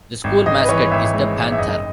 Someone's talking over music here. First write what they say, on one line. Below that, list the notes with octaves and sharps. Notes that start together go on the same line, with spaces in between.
The school mascot is the panther.
G#1
G#1 D#5
B4
E3 C#5
G#1 E5
G#2
G#2
E5
F#1 D#5